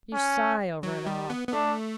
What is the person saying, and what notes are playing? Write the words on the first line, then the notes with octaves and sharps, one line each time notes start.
'You sigh over it all.
C#4
F#3
G3
B3
B3
A3 D4